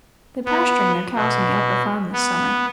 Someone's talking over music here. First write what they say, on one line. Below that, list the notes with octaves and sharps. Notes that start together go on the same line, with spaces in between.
They're pasturing their cows on the upper farm this summer.
B3
B2
B3